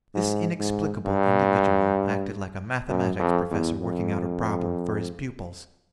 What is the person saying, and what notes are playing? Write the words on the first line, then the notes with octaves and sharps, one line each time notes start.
This inexplicable individual acted like a mathematics professor working out a problem for his pupils.
G#2
G#2
G2
F#2
F2
E2
F2